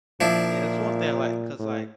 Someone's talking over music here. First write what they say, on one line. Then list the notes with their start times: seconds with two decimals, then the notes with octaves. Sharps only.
Yeah, that's one thing I like 'cause, like,
0.21 A#2 F3 D4 E4
1.59 A2